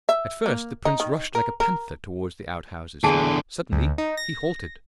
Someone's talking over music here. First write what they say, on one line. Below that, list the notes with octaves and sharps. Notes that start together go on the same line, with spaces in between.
At first the prince rushed like a panther toward the outhouses. Suddenly he halted.
E5
A#3
D#4
D#3
A#4
A#4
E2 D3 G#4 G#5 A5
D2
D#4
A#6